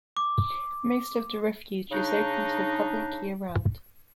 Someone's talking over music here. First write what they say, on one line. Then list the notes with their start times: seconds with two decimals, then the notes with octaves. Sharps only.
Most of the refuge is open to the public year round.
0.17 D6
1.91 C#3 D4 D#4